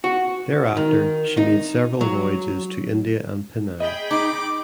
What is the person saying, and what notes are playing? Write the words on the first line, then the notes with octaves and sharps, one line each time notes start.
Thereafter she made several voyages to India and Penang.
F#4
D#3
D#4
F#3
G#4 D#5 G5 B5
D#4 D6